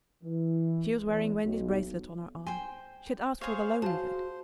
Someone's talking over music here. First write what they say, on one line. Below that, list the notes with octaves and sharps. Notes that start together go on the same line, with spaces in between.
She was wearing Wendy's bracelet on her arm; she had asked for the loan of it.
E3
E2
B1
C5 G5 G#5
G#4 C5 C#5 F5
F#4 C5 F5 A5